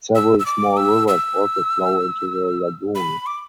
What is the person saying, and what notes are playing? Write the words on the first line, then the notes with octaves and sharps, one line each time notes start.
Several small rivers also flow into the lagoon.
E6
E6
D6
E6
E6
B5
D6